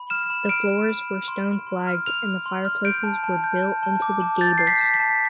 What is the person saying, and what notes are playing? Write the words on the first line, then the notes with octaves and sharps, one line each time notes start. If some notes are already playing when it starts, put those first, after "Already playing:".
The floors were stone flagged and the fireplaces were built into the gables.
Already playing: B5
F6 E7
B5
F6 D7
F6
B5
F6
C6
C6
C6
F6
F6 F7
F6
C6
F6
G6 D7
A5
A5
G6
A5
A5
D6
A5
G6 A6
G6 C7
B6
A5
B6
A5